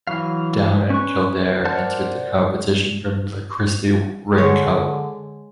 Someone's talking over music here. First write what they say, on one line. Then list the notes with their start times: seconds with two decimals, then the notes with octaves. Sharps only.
Down and Kildare entered the competition from the Christy Ring Cup.
0.07 E3 F#3 F5
0.90 C#4 B4 C#6
1.65 A#4 C5 D5 F#5 A5
4.38 D3 G#3 C#5